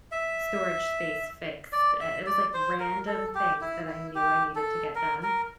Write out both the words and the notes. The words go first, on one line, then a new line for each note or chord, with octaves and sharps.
storage space fixed," uh, it was, like, random things that I knew I needed to get done,
E5
D5
E5
D5
C5
A#4
A4
G4
E4
E4
G4
A4
A#4
A#4